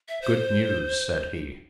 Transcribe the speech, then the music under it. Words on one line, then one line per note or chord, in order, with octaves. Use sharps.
"Good news," said he.
E5
C5